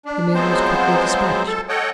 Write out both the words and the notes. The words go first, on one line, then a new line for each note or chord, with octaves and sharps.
The meal was quickly dispatched.
D4
F3 F#3 G#3 B3 C4 C5
A4
A4 C#5 D#5 F#5 G5